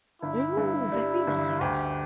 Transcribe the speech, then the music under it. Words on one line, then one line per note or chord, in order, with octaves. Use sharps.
Oh! very nice!'
G1 E4
G2
G3
G1
D2 G4